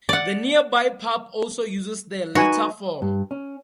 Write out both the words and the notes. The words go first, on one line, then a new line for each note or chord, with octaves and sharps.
The nearby pub also uses the latter form.
D5 F#5
D#4 F#4 B4 G#5
G2
C#4